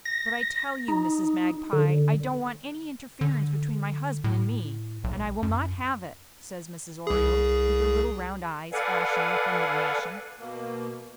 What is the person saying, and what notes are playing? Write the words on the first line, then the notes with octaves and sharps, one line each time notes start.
"But I tell you, Mrs. Magpie, I don't want any interference between my husband and me, and I will not have it," says Mrs. Oriole, with her little round eyes flashing with indignation.
A#6
D#4
D3
D3
A2
B1
F#2
C2 G#4
A4 B4 D5 F5 F#5 G#5
B2 A#3